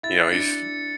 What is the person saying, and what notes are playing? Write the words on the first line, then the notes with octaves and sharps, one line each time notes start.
you know, he's,
E4 A6
D4 C#7